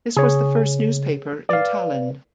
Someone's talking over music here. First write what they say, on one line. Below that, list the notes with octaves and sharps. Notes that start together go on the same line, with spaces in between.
This was the first newspaper in Tallinn.
C#3 G#4 C#5
B4 D5 F5